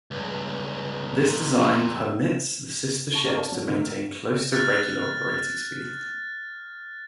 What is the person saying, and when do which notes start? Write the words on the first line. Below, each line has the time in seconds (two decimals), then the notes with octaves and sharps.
This design permits the sister ships to maintain close to regular operating speed.
0.11 C#2 G2
1.22 F2 A#2
3.14 A5 C#6
3.25 C4 D#4 G4 A#4 D5 F5
3.37 A5
3.52 F#3 F#4
3.67 C3 D#3 A3
4.53 F6 F#6 A6